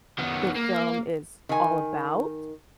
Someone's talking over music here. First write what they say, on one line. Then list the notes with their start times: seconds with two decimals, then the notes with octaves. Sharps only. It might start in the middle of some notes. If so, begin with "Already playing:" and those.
the film is all about.
0.18 D#3 B3
0.56 A#3
1.49 D#3 G#5